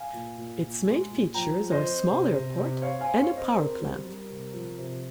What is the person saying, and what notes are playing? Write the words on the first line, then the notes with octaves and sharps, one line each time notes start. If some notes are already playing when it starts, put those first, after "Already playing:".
Its main features are a small airport and a power-plant.
Already playing: F5 G#5
A#2
A#2
A#2
G#3
A#2
F3 G5 A#5
F3
C5 D#5
C4
C3
C3
C3
C4 C#5 F5
F5 G#5
C4
C#5 F5
C4
C5 D#5
C4 A#4
G3
G3
C3
F3
C3